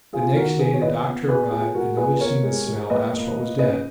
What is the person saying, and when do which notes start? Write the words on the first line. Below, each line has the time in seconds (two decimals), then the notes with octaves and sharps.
The next day the doctor arrived and, noticing the smell, asked what was dead.
0.13 B3 F4 G#4
0.36 D#3 F#4 A#4
0.58 B3 G#4 B4
0.74 C#5
0.82 A#2 B4 D#5
1.05 B3
1.28 B3 G#4 B4
1.51 B3 F4 G#4
1.74 G#3 F#4 A#4
1.97 A#2 G#4 B4
2.13 B4
2.20 B3 A#4 C#5
2.43 G#3
2.67 G#3
2.90 A#3 B4 D#5
3.13 A#3
3.36 A#3
3.58 C#3 B4 D#5